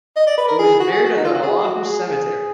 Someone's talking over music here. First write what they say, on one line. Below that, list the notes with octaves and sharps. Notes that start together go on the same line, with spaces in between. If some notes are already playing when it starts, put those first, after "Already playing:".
He was buried at the Oahu Cemetery.
D#5
D5
B4
A#4
G#4
F#4
G#4
F#4
D#4
F4
F#4
G#4
F#4
G#4
G#4